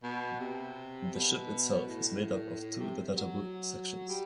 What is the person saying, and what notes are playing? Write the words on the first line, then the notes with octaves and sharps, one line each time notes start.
The ship itself is made up of two detachable sections.
B2
C3
B2
A2
A2
C3
F#3
G3